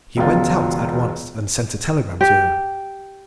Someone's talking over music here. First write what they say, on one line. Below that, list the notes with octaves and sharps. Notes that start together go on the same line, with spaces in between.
He went out at once and sent a telegram to her.
E1 C#2 B2 F4
G4